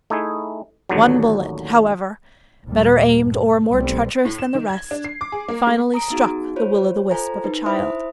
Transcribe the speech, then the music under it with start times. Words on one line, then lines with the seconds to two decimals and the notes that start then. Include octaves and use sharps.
One bullet, however, better aimed or more treacherous than the rest, finally struck the will-o'-the-wisp of a child.
0.10 A3 D#4 E4 G#4
0.89 A1 D#2 D3 F#3
2.66 D#2 A#2 G3 G#3 A#3
3.16 G2
3.69 C2 B2 G3 A3 B3 C4
4.25 A2
4.39 E7
4.55 D#3
4.69 G#6
4.91 D4
5.04 C7
5.21 D6
5.32 G#4
5.48 A#3
5.67 A3
5.94 A#5 D#6 D7
6.10 B3 D#4 F#4 G#4
6.56 F4 C5 C#5
7.11 F4 A4 C5 G#5 A#5
7.44 D#4 B4
7.66 E4 C5 E5 B5 D#6